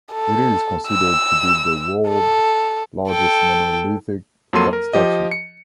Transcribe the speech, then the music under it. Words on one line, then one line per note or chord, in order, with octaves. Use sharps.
It is considered to be the world's largest monolithic statue.
A4
E6
A4
A4 G5
F2 F#3 A#3 A4 C6 D#7
A#4
F3 G4 D#5
C#7